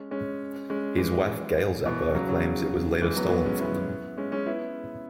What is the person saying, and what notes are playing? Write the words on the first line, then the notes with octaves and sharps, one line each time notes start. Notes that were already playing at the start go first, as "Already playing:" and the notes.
His wife Gail Zappa claims that it was later stolen from them.
Already playing: G#3 C#4
G#3 C#4
G#3 C#4
E3 G#3
B2 E3
C#3 F#3
C#3 F#3
E3 G#3
F#3 B3
F#3 B3
G#3 C#4
B3 E4
G#3 C#4
G#3 C#4
B3 E4